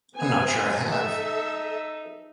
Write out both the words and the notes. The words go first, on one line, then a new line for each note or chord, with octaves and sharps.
I'm not sure I have.
B3 C4 G#5
D#4 A4 E5